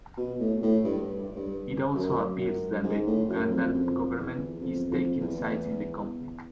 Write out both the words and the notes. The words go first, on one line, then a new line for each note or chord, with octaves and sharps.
It also appears that the Ugandan government is taking sides in the conflicts.
B2
A2
A2
G2
G2
F#2
F#2
G#2
A2
F#2
F2
F2
E2
F2
F2
E2